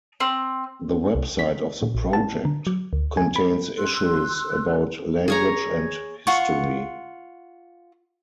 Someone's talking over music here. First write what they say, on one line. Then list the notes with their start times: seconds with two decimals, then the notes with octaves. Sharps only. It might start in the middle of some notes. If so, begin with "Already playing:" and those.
The website of the project contains issues about language and history.
0.20 C4
1.15 C2
1.39 B6
1.83 A#2
1.95 A#1
2.13 A5
2.45 D3
2.67 F#3
2.93 D2
3.17 G#5
3.36 B5
3.78 C6 E6 F#6
5.28 G#4 C#5 A#5
6.27 F4 F#5 C#6